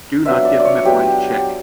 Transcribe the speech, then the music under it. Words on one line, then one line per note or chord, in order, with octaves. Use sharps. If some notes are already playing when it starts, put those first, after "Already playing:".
Do not give him a blank check!
F#3 B3 D4 F4 E5
D5
D5
C#5
F#3 B3 D4 F4 G4